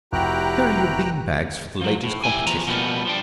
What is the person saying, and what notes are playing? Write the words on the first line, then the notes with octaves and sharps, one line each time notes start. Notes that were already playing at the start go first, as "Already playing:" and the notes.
Here are your bean-bags for the Ladies' Competition.
F1 E4 F#4 G4 G5 A#5 F#6
F3 F#3
A2
E4 G4 G#5
E2 F3 A#5
B2 F3 G3 A#3 B3
F3 G3 D4